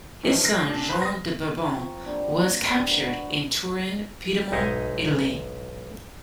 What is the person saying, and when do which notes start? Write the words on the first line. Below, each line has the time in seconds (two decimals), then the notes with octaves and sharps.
His son Jean de Bourbon was captured in Turin, Piedmont, Italy.
0.23 G2 E3 F3 C#4 D#4
0.43 F6 A#6 C7 D7
0.65 A#2 D4
0.89 B4 C5 F5 C6
1.02 D#6 A#6
1.70 F3 C4 A#5 C#6
2.06 G3 A#3 D4
2.59 G2 G#3 G5
2.86 B4 F#5 A#5
3.01 F#4
4.52 B1 G#2 D#4 E4 D#5 F5